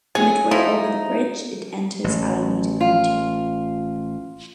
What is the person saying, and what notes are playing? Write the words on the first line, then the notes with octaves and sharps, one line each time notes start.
Midway over the bridge, it enters Alameda County.
F#3 G#4 G#5
F3 D#4 E4
A1
F4